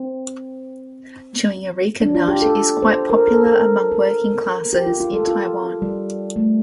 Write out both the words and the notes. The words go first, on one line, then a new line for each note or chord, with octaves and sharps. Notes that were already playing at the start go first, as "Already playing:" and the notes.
Chewing areca nut is quite popular among working classes in Taiwan.
Already playing: C4
D4
F4
G4
A4
C5
A#4
A4
A#4
A#4
G4
F4
F4
A4
F4
G3
A3